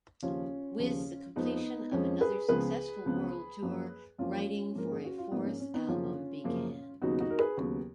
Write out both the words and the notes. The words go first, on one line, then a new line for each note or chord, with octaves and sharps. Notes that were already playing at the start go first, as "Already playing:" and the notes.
With the completion of another successful world tour, writing for a fourth album began.
D#2 C#3 F3 C#4 F4
D#2 C#3 F3
F2 F3 G#3 B3 D#4
F2 F3 G#3 C#4
G#4 B4
C#2 C#3 F3 B3 G#4 B4
C#2 C#3 F3 B3
F#2 F3 A#3
F#2 F3 A#3 C#4 F4
G#2 F3 A#3 A#4
G#4
F#4
F4
G#2 F3 A#3 B3 D#4
C#4
C#4
B3 D#4
F#2 C#3 F3 A#3 C#4 F4
F#2 C#3 F3 A#3
D#2 C#3 F#3 B3 D#4 F#4
D#4 F#4
A#4
G#4 B4
D#2 C#3 F#3 B3